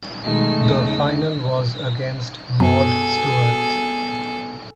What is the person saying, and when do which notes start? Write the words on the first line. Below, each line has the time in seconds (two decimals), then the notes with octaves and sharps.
The final was against Maud Stuart.
0.25 B2 D#3 G#3 A3 D#4
0.62 E2 C#3
2.60 F#2 B2 G#4 A4